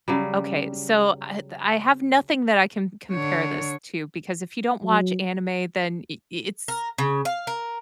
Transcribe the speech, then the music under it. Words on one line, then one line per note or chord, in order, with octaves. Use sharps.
okay, so, eh, I have nothing that I can compare this to because if you don't watch anime, then i it's
C#3 F#3 G3
D3 C#5
F#3
A#4
C#3
F5
A#4